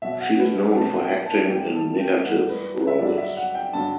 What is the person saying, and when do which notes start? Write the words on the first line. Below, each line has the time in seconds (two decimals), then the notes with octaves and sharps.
She is known for acting in negative roles.
0.02 B2 F#3 E5
0.20 F#5
0.39 B4
0.58 B4
0.76 B2 F#3 A5
0.94 F#5
1.01 G5
1.26 A5
1.40 A5
1.50 F#2 E3 G3 G5
1.75 A5
2.01 G5
2.25 F#2 E3 G3 F#5
2.49 B4
2.87 E5
2.99 G2 D3 F#3 D5
3.18 E5
3.37 F#5
3.55 G5
3.73 G2 D3 F#3 A5